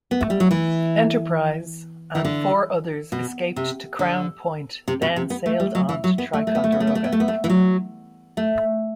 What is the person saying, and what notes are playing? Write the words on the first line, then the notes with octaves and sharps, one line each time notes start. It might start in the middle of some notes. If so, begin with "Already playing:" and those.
"Enterprise" and four others escaped to Crown Point, then sailed on to Ticonderoga.
B3
A3
G3
F#3
E3
E3
D3
B2
C3
D3
C3
B2
C3
B3
A3
G3
F#3
E3
F#3
B3
A3
A3
B3
A3
B3
A3
B3
A3
B3
A3
B3
A3
E3
F#3
A3